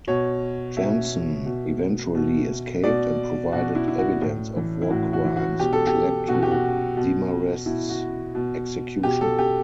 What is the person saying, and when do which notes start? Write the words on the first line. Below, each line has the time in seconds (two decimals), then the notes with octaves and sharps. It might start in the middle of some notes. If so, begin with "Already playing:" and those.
Janson eventually escaped and provided evidence of war crimes, which led to Demarest's execution.
0.07 B2 C#5
0.77 B2 E5
1.46 B2
2.15 B2
2.83 B2 D5
3.52 B2 F#4
3.75 E4
3.88 E4
3.98 F#4
4.21 A2
4.56 E3
4.82 E4
4.90 A2 F#4
5.13 F#4
5.25 E3
5.36 F#4
5.59 B2 G4
5.73 A4
5.87 G4
6.28 B2 F#4
6.43 G4
6.51 F#4
6.97 B2
7.66 B2 E4
7.89 F#4
8.35 B2
9.03 B2 G4
9.21 A4
9.39 G4